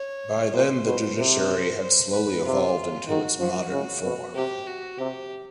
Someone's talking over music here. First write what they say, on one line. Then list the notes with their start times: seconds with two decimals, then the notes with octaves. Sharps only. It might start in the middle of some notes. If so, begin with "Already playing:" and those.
By then, the judiciary had slowly evolved into its modern form.
Already playing: C#5
0.53 A#2 C5
0.85 B2
1.17 C3 C5
1.80 C5
2.12 B4
2.44 C3 F4
3.08 D#3 F#4
3.40 F3
3.71 C#3
4.03 B2
4.35 C3 G4
4.67 F#4
4.99 C3 G4